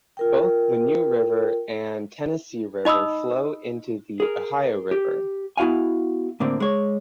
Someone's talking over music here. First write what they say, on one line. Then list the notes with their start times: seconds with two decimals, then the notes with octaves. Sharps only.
Both the New River and Tennessee River flow into the Ohio River.
0.17 F4 A#4 G5
2.85 D#4 D#5 B5 D#6 E6
4.20 G#4 A#4
4.91 G4
5.57 B3 E4 F#4 F5 G#5
6.40 A2 D3 A#3 C4
6.60 G#3 C#5